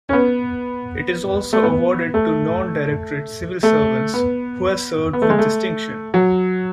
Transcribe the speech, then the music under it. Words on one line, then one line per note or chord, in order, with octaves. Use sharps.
It is also awarded to non-directorate civil servants who have served with distinction.
C#4
B3
A3
B3
A3
A3
B3
B3
A3
G#3
A3
F#3